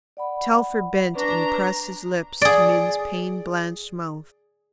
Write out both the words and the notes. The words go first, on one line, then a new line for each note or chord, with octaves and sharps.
Telford bent and pressed his lips to Min's pain-blanched mouth.
D5 F#5 B5
D4 B4 A#5 C#6
G#4 D5